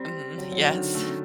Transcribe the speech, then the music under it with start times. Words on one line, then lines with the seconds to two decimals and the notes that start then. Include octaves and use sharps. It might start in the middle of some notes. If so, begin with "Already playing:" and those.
Mhm. Yes.
Already playing: G3 C4
0.38 F#3
0.52 F#3
0.58 D#3
0.65 D3
0.95 A3